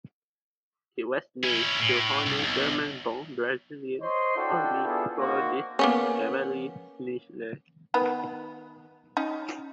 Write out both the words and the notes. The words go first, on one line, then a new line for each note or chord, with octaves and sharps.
It was named to honour German-born Brazilian ornithologist Emilie Snethlage.
C#4 E4
A2
C2
B1
C5 C#5 D#5 C6
D4 E4 F#4 A4 G5
B3 D4 E4 F4 G#4 A4
A#3 C4 D#4 F#4 C5 D#5
A#3 B3 C#4
D#3 B3 B5
C#4 D#4